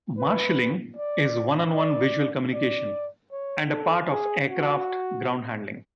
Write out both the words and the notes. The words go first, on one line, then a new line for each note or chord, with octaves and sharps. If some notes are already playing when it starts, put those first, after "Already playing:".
Marshalling is one-on-one visual communication and a part of aircraft ground handling.
B4
D5
D5
D5
C#5
A4
G#4
F#4